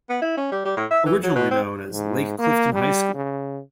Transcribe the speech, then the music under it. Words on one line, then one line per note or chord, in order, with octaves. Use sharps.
Originally known as "Lake Clifton High School".
B3
E4
C#4
G3
G3
A2
E5
E3
F#3
B2
C4
G#2
A#3
G3
C#3